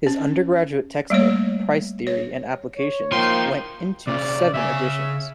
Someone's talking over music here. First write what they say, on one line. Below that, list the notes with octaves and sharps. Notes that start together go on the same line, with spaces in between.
His undergraduate textbook, "Price Theory and Applications", went into seven editions.
C#4
G3 A3 A#3 C#5
C#5
C#5
F3 A#3 D#4 F5 G5 C6
C3 C#4 D5
C#3 D#5 E5 G#5